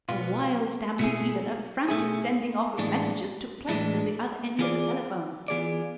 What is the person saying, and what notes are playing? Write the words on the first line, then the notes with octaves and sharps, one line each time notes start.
A wild stampede and a frantic sending-off of messengers took place at the other end of the telephone.
B1 B2 B3 F4
B2 A3 E4 G#4
B2 A3 E4 G#4
A2 E3 G#3 D4
A2 E3 G#3 D4
E3 B3 F4 G#4 D5
E3 B3 F4 G#4 D5